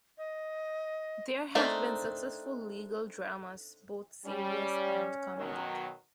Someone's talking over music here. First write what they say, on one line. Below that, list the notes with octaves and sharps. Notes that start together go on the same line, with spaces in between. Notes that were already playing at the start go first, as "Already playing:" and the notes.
There have been successful legal dramas both serious and comedic.
D#5
A3 C4 D4 D#4 A#4
G3 C#4
B2 D#3 F#3